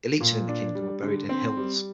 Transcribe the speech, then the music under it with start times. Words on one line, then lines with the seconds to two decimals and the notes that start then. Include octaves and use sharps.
Elites within the kingdom were buried in hills.
0.21 A#2
0.48 D4
0.75 G3
1.02 D3
1.29 C4
1.57 G3